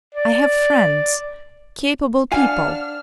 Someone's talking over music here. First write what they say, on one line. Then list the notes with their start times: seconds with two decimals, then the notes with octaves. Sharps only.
I have friends... capable people....
0.15 D5
2.32 D4 F5 F#5 G#5 F6